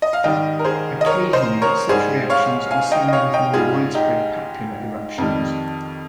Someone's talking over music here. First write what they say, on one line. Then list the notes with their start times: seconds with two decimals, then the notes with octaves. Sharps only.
Occasionally such reactions are seen with more widespread papular eruptions.
0.02 D#5
0.13 F5
0.24 G#2 D#3 G3 D#5 G5
0.59 A#4
0.65 G#4 C5
1.01 D#5
1.06 A#4 C#5
1.33 C5 D#5
1.62 A#4 C#5
1.89 G#2 G3 G#4 C5
2.30 C#5 F5
2.71 F5 G#5
2.92 D#5 G5
3.08 D#5
3.13 C#5 F5
3.34 D#5 G5
3.54 G#2 G3 F4 G#4
3.95 D#4 G4
5.18 F2 D#3 G3